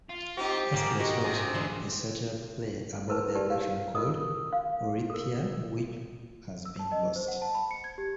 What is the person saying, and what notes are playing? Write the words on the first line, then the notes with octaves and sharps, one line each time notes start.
Aeschylus wrote a satyr play about the abduction called "Orithyia" which has been lost.
F4
C4 D#4 G4
G#2 A#3
F#4 G4 A#4 D#5
F#2 C3 G#4
D2 E3 F3 A#4 C5
E4 A#4 B4 A5
G4 D5 A5
F5
F4 A#4 D#5 D#6
F5
A4 A#4
E6
A5
D#5
C5
F#5
A5
B5
C#7
G#6
G4